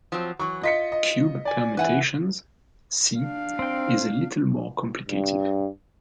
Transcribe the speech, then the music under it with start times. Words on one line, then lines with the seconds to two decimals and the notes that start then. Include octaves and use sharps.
Cube permutations, "C", is a little more complicated.
0.12 F3 F#3 C4
0.40 E3 F#3 C#6
0.63 F4 D#5 B6 C#7
0.92 D#5
1.45 D5 G#5
1.77 E3 B4 E5 F#5 G#5
3.19 D4 F5
3.59 C4 G5
5.09 G2